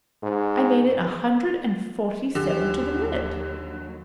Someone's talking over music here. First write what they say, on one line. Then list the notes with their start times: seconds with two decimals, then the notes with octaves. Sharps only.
I made it a hundred and forty-seven to the minute.
0.22 G#2
2.35 D#2 D3 F#3 G4 G#5